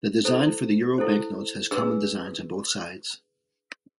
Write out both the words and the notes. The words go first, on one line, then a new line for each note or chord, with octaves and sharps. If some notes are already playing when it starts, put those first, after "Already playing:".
The design for the euro banknotes has common designs on both sides.
E4 A4 C5
E4 A4 C5
D4 G#4 B4 E6